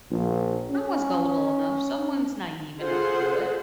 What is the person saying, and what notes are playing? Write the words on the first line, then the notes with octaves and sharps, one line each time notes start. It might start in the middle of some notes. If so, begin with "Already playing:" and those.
Someone's gullible enough, someone's naive enough to do it.
A#1
C#4
F4 G#4 A4 C5 F#5